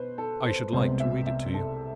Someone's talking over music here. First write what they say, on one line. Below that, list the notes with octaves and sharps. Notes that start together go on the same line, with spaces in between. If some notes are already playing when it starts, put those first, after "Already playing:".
I should like to read it to you.
Already playing: B2 B4 C5
A4
C5
C2 C3 G#3 B3 C5
E5
E5
A4